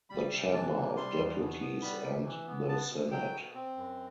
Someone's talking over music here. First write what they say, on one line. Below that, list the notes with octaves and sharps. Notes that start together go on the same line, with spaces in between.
The Chamber of Deputies and the Senate.
G3 B5
C3
E3 A5
C3
G3 C6
E2
B2
B3
G3 B5
C3
E3
B3
B3 A5
B2
F#3 G5
B2
C4
F#2